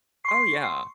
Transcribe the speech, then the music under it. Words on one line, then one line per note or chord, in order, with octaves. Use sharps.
Oh, yeah.
C6 C#6 C7